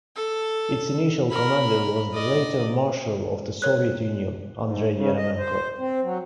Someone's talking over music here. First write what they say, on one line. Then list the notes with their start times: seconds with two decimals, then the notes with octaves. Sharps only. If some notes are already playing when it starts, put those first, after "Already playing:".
Its initial commander was the later Marshal of the Soviet Union, Andrei Yeremenko.
0.16 A4
1.30 A#4 B5
2.13 D5 D#5
3.62 A#4 C#5 F#6
4.62 G#2
4.94 C#3
5.17 D#5
5.38 C5
5.78 C4
6.02 F#3